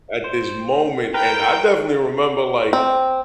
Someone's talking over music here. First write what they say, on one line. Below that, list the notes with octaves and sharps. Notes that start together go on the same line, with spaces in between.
at this moment. And I definitely remember, like,
C5
A#4 B4 G5
C4